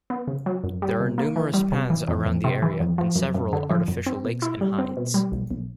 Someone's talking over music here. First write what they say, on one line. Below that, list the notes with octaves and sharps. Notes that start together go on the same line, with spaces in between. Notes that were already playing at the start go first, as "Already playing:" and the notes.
There are numerous paths around the area, and several artificial lakes and hides.
B3
C#3
F#3
F#2
G3
C3
A#3
E3
G3
C3
E3
F2
F2
C3
E3
F2
F3
F#2
F#2
D3
F3
F#2
C4
B2
E4
G3
C4
B2
G3
B1
B1